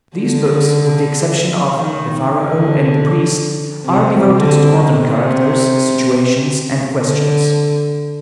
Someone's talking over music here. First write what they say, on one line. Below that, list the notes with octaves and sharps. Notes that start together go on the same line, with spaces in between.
These books, with the exception of "The Pharaoh and the Priest," are devoted to modern characters, situations, and questions.
D3
D#3
D3
C3
D3
C3
D3